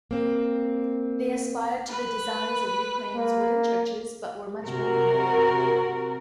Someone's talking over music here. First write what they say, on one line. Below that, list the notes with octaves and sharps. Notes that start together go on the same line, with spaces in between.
They aspired to the designs of Ukraine's wooden churches, but were much more humble.
A#3 C4
B4
A#3
C3 F#4 A#4